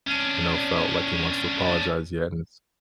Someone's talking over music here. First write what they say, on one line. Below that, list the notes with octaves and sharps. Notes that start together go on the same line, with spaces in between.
you know, felt like he wants to apologize yet, and it's
C#4 D4